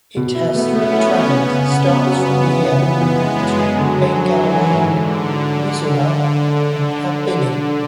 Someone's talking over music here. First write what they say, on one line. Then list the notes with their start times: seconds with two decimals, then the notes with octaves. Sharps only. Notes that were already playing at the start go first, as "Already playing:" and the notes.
It has three trains starts from here to Bengaluru, Mysuru and Hubballi.
0.17 B2
0.35 E4
0.45 B3
0.54 A3
0.73 A3 C#4
0.93 E4
1.11 G#4
1.30 B3 C#4
1.50 C#3
1.68 C#3
1.87 B3 C#4
2.07 F#3
2.26 C#3
2.44 E3
2.64 C#3
2.82 E3
3.02 E3 G#3
3.21 E3
3.39 F#2
3.58 F#3 G#4
3.78 D3
3.97 D3
4.16 E3 G#4
4.35 G#4
4.53 G#4
4.73 G#2 D3